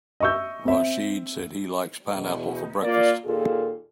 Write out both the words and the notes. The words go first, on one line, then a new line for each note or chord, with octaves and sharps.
Rachid said he likes pineapple for breakfast.
D#5 E5 C#6 E6 G6
C4 E5
E2 B2
A#3 F4 D5
D#2 A#2 F4 G#4 A4